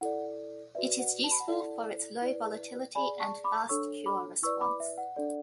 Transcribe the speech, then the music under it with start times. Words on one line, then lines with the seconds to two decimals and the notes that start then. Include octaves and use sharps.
It is useful for its low volatility and fast cure response.
0.01 E4 A4 D5 F#5
0.75 F#4 B4 D5 E5
0.99 F#5
1.24 A5
1.31 B5
1.39 F#5 A5
1.48 E4 A4 D5
2.22 E4 B4 D5
2.95 G#4 D5 G#5 B5
3.20 A5 C#6
3.44 B5 D6
3.69 D4 A4 C#5 C#6 E6
4.06 B5 D6
4.42 E4 B4 D5 C#6 E6
4.61 B5 D6
4.80 E5
4.98 F#5
5.17 D4 A4 D5